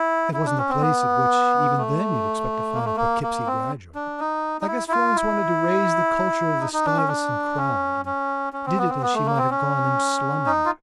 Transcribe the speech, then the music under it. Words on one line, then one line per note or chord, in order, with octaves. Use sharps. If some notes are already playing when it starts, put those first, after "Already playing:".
It wasn't the place at which, even then, you expected to find a Poughkeepsie graduate. I guess Florence wanted to raise the culture of the Stuyvesant crowd and did it as she might have gone in slumming.
Already playing: E4
E4
D4
C#4
C4
B3
A3
A#3
A3
A#3
A#3
C4
D4
D#4
D#4
E4
E4
F4
E4
D#4
D#4
D4
C#4
D4
C#4
C#4
C#4
C4
B3
C4
B3
A3
A#3
C4
C#4
D#4
F4